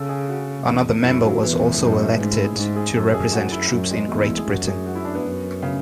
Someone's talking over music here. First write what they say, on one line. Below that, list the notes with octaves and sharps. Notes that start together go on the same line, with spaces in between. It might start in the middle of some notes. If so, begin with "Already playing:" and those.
Another member was also elected to represent troops in Great Britain.
Already playing: C#3 A4
G#4
F#4
E2
F#2 E4
F#3
E2 E3
A2
A2
F#2 B2
G#3
A3
B3
G#2 C#4
E4
G#4
G#2
G#4
F#2 A4
G#4
F#4
E4
F#2 F#3
G#3
E2 A3
E4
E4
G#4
F#2 F#4
G#4
F#4
E4
D4
B3
F#2
C#3